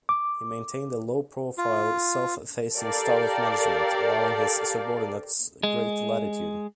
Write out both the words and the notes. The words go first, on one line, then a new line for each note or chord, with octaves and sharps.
He maintained a low-profile, "self-effacing" style of management, allowing his subordinates great latitude.
D6
F4
G4 A4 A#4 D5 F5
G#3